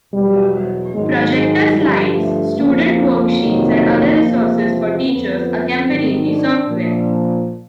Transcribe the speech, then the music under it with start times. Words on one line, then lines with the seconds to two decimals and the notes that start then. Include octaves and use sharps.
Projector slides, student worksheets, and other resources for teachers accompanied the software.
0.13 E2 B2 F#3 G3
0.94 G#2 D#3 F#3 G#3
1.34 G#3
1.75 G2 D3 F3 G3
2.17 A3
2.57 F2 C#3 F3 A#3
3.39 F2 C3 D#3 F#3
4.21 E2 C3 F3
5.02 F2 D3 F3 B3
5.84 G#2 D#3 F#3 C4
6.25 D4
6.67 A#2 F3